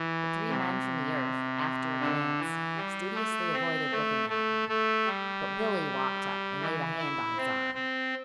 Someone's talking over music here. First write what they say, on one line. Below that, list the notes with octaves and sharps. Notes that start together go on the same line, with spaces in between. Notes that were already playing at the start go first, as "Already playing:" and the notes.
The three men from the earth, after a glance, studiously avoided looking at him; but Billie walked up and laid a hand on his arm.
Already playing: E3
C3
D3
E3
G3
A3
C4
A3
A3
A3
G3
E3
E4
C4
C4